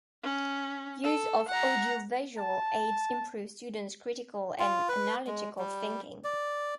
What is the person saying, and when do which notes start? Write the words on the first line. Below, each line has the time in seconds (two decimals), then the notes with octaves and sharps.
Use of audio visual aids improves students' critical and analytical thinking.
0.23 C#4
1.04 A4
1.48 F#5 A#5
2.38 A5
4.59 F4
4.89 B4
5.27 G#3
5.59 G3
6.24 D5